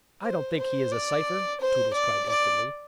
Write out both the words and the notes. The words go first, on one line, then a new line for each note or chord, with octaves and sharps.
"I don't think he is a cypher," Tootles cried instantly.
C5
C5
D5
C5
D5
D5